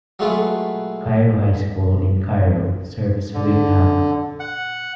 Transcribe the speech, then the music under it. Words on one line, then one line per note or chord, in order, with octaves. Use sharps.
Cairo High School in Cairo serves Whigham.
F#3 G#3 A3 F4 B4 E5
D3
F#5